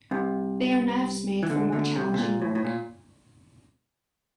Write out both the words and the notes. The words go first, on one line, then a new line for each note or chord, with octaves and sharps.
They are knives made for more challenging work.
C2 C3
E3
D2 D3
D2 D3
C2 C3
C3
A#2
A2
A2
A#2